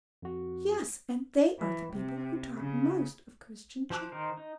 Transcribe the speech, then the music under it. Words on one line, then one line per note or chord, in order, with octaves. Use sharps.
"Yes; and they are the people who talk most of Christian charity!"
F2 F#4
E3
C3
C#3
F3 C5 A5 D6 F#6
D#3 D#4 A#4 C5
D#4